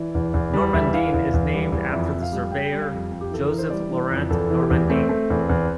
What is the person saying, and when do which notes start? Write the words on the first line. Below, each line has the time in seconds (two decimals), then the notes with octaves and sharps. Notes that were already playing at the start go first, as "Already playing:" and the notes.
Normandin is named after the surveyor Joseph-Laurent Normandin.
Already playing: E3 D5
0.15 E2
0.34 E2
0.53 G3
0.73 E2 E5
0.94 E3 F5
1.13 E2 F5
1.34 E2
1.53 G3
1.72 E2
1.92 F2 E5
2.13 F2
2.22 F5
2.32 G3
2.52 G3 G5
2.72 G3
2.81 F5
2.91 F2
3.11 F2
3.21 G4
3.32 E3 A4
3.46 A#4
3.51 E3
3.58 C5
3.70 G3 D5
3.91 E3
4.10 F2
4.30 E2 A4
4.50 E3
4.60 G4
4.70 E2
4.90 A3 C4
5.09 A3
5.30 E2
5.49 E2